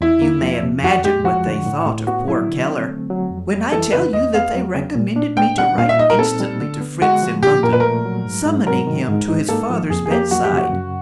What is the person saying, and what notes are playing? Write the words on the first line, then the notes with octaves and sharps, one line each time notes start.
You may imagine what they thought of poor Keller, when I tell you that they recommended me to write instantly to Fritz in London summoning him to his father's bedside.
E2 E4
A#3
F3
C3
F2 F#4
G#3 G4
F3 F#4
D3
A2
A2
B3 F#4
F#3 E4
D3
C4
A3
F#3
F2
G3
E3 A4
C#3 B4
E2 D#5
B3 F5
F#3
C#3
A#2
D4
B3 G5
G3 F#5
A#2 F5
E5
D#4 D#5
A#4
C4 A4
G3
D3
B3
G#3 F#4
F3
A#2 G4
A#2 A#4
B4
A3 A#4
F#3
G#2
G#2
F#3 A#4
D#3
G#2
D#4
A#3 A4
F3
F2 G#4
G#4
A#3 G4
F#3 F#4
G4
C#3 F#4
F#2